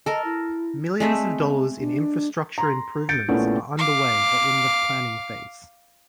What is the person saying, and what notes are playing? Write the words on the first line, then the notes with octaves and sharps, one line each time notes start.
Millions of dollars in infrastructure improvements are underway or in the planning phase.
A4 A#4 D#5
E4
G#3 A3 C4 E5
D4
A#5 C6
G6 A6 C#7 D7
A#2 A3 B3 C#4 E4
F5 D6